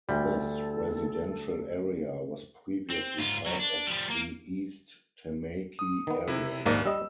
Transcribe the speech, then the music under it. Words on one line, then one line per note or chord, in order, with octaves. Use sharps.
This residential area was previously part of the East Tamaki area.
D2 G3 A4
C4
G#2 F4
F#3 G3
D4
F3 G3
A#3
D#6
D#3 B3
C3 E4
A#1 D#2 G#2 A#3 D5
G3 D#5 E6